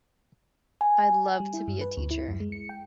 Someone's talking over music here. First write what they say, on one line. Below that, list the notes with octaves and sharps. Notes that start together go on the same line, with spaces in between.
I’d love to be a teacher.
G#5
G3
E4
G2
B4
D2
E4
F#2
G#3
C#7
G5